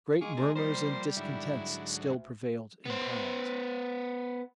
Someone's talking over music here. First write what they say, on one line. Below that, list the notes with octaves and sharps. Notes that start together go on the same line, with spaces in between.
Great murmurs and discontents still prevailed in parliament.
G#3 G#4 F5 C#6 D6
A#3 D4 A4
F3 G3 A#3 C5 C6
G#2 D3 F#3 E4
D2
B3 C5